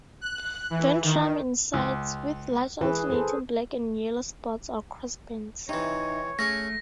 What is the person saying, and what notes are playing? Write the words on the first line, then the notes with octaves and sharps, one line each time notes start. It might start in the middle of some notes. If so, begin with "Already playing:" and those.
Ventrum and sides with large alternating black and yellow spots or crossbands.
F#6
E3
D#3
C#2
E3 G#4 B4
G#4 A4 C5
C3 E3 D#4 C#5
A3 C#4 G#4 A#6